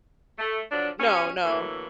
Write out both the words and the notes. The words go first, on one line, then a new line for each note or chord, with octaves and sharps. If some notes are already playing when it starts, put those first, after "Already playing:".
No, no.
A3
D3 F3 F#3 D4
G2 B2 C#4
A2 D3 E3 F#3 A#3